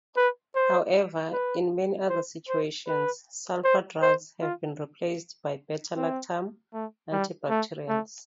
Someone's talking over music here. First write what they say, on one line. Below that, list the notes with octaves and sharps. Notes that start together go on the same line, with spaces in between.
However, in many other situations, sulfa drugs have been replaced by beta-lactam antibacterials.
B4
C5
B4
C5
C5
B4
C5
C5
F4
C4
A3
G3
A3
A3